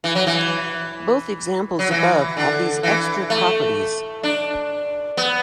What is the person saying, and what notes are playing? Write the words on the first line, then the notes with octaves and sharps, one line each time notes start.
Both examples above have these extra properties.
E3
F#3
E3
F#3
E3
D3
E3
A3
D4
B3